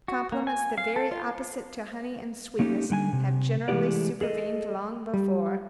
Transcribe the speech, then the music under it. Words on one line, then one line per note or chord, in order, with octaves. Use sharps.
Compliments the very opposite to honey and sweetness have generally supervened long before.
F#4
A#3
G#5
F5
A4
F4
A3 A#3 C#4 D#4 G4
D3 G3 G5 G#5
C3
E3 G#3 A3 D#4 G4 D5
G#4 A4 D#5
G3